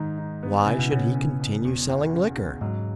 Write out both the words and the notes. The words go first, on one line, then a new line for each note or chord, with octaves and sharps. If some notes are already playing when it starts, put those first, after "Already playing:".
Why should he continue selling liquor?
Already playing: G#2 D#3 D#4
D#4
B3
C#3 E4
B2
C#3 C#4
C#4
B2
E2
E2
C#3
C#3
G#2 F#3